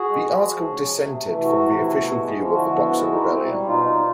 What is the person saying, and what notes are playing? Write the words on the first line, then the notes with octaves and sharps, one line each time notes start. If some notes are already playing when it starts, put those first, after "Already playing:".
The article dissented from the official view of the Boxer Rebellion.
Already playing: F#4 G#4
G#3
F3
F3
C#4
C3
A3
E3
C3 E4 F#4
C3
A3
B3
G#3
F3
D3 E4 F#4
B3
G#3
D#4
C4
G3
B2 D#4 F4
D#4